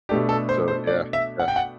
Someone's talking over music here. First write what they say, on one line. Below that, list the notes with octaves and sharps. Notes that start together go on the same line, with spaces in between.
so yeah, yeah.
B2 A3 D4 G4
A4
C5
C5
D5
E5
F#5
G5
F#5